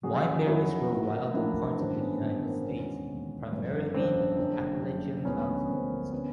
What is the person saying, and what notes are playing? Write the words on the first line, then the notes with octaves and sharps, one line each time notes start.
Wineberries grow wild in parts of the United States, primarily the Appalachian Mountains.
F2 C#3 F#3 F#4 G#4
F2 C#3 F#3 E4 F#4
A1 A2 F3 A#3
A1 A2 F3 A#3 D4 E4
A1 G2 D#3 C4 D4
B3 C#4
A1 G2 D#3 B3
A#3 C4
E1 D#2 D#3 B3 C#4
E1 D#2 D#3
G1 F2 C#3
G1 F2 C#3 C4 D4
F#1 F#2 D3
F#1 F#2 D3
E1 D2 D3 F3 G#3 B3 C#4
E1 D2 D3 F3 G#3 A#3 C4
D3 G3 B3 C#4